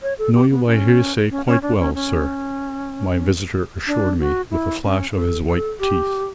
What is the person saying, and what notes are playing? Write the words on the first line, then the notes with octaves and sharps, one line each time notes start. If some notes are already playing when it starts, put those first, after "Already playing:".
"Know you by hearsay quite well, sir," my visitor assured me, with a flash of his white teeth.
C#5
A4
G4
B3
D4
C#4
C#4
C#4
D4
C#4
C#4
D4
F#4
E4
C#4
A4
A4
G4